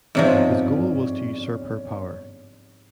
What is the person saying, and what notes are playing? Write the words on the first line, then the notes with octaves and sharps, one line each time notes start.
His goal was to usurp her power.
G1 G#2 C3 F3 C#4 D5